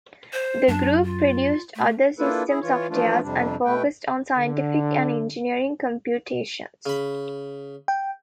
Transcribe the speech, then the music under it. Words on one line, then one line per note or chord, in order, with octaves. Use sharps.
The group produced other system software and focused on scientific and engineering computations.
C5
F#2 D4
F4
A3
A#3 D4 E4 F4 A4 B4
E4 G#4
E3 F4 C#5
E3 F3 A3 D4 F4
F2 C3 G3 D4
B2 A3 B4 G5
D3
C#3 B5
G5